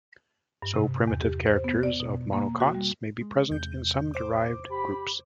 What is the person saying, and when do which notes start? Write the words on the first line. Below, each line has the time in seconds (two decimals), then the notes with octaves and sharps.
So primitive characters of monocots may be present in some derived groups.
0.62 G2
0.74 C3
1.07 E2
1.22 G4
1.46 C5
1.64 B3
1.83 D5
2.00 B2
2.33 A#3
2.60 F#4
2.75 G3
3.21 G#3
3.50 E2 C3 G6
4.14 C5 D6
4.71 G4 B5